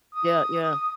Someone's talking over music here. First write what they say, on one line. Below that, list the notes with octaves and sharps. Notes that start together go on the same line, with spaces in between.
Yeah, yeah.
D#6